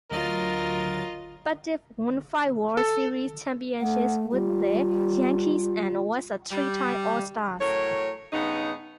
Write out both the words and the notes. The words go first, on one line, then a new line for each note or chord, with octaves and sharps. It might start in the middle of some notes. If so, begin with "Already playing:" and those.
Pettitte won five World Series championships with the Yankees and was a three-time All-Star.
D2 F#3 F4 A#4 D#5 A6
A4
A3 F#5
G3 F4
G3
A2 F#3 A#4 C#5
G2 C#3 B3 D#4